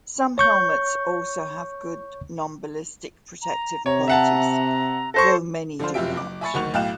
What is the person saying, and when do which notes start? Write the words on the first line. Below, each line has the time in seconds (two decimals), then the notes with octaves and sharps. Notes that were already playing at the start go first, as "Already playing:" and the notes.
Some helmets also have good non-ballistic protective qualities, though many do not.
0.38 C#5 C#6 G6
3.42 A#5
3.86 C3 C#5 A#5
4.08 E5 F#5 A5
5.14 A4 C5 C#6 A#6
5.80 D3 F3 D4 F4 C5
5.94 F1 F#2 F4 G4 E5 D7
6.16 F#1 D6
6.41 E5 G#5 B5 C#6 A6 C#7
6.54 F#1 D2 D#3 F#5 C#6 F7
6.74 B1 A2 F5 G5 F#6 E7